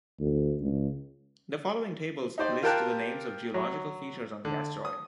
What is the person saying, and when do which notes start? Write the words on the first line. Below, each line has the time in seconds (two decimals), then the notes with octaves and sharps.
The following tables list the names of geological features on the asteroid.
0.20 D2
0.61 C#2
2.38 D#4 G4 C5 D5
2.63 F4 G4 A#4 G5 A5 F#6
3.54 F#3
4.45 D3
4.85 D#6